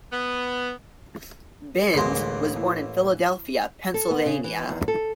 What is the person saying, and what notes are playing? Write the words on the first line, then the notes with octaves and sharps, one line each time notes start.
Binns was born in Philadelphia, Pennsylvania.
B3
A1 D2 G#3 A#3 C6
E3
A4
B3
C#3
E3
E2
A4